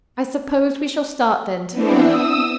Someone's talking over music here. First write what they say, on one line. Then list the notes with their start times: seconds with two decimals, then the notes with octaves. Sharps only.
"I suppose we shall start, then, to-morrow."
1.71 B3 C4 D4 E4
2.02 D#6 E6